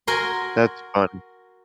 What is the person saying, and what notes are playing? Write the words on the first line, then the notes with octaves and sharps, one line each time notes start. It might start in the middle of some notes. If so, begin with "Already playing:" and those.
That's fun,
F#4 A#4 G#5 C6